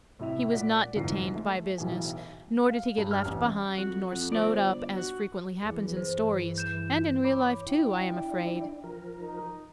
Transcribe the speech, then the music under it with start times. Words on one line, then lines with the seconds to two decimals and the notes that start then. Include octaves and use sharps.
He was not detained by business, nor did he get left behind nor snowed up, as frequently happens in stories, and in real life too, I am afraid.
0.19 A2 C3 E4 E5 F7
0.51 A#2 D5 F#5 B6
0.95 F1 D2 G#2 E3 F3 C7
1.33 G#3 A3
1.78 B1 A2 E3 F#3 G#4 G#5
2.69 F5
2.97 G2
3.11 F6
3.25 A1
3.77 F2 F#4
4.11 F2 F#5
4.32 G1 F4 C5 D5
4.96 F#4
5.63 E2 E3 G#4
5.97 G2 E3 C5
6.58 G6 E7
7.24 C#5 B5 D6
7.66 E4 G5
7.80 D4 E4
8.84 F3 A#4
9.18 D#4